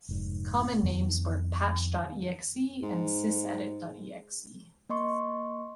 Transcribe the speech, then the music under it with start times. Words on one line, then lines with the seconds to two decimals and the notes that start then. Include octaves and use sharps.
Common names were "Patch dot exe" and "SysEdit dot exe".
0.09 F1 G#2
0.83 F2 D#3 B3
2.83 G#2
4.89 A#3 D#5 C6 C#6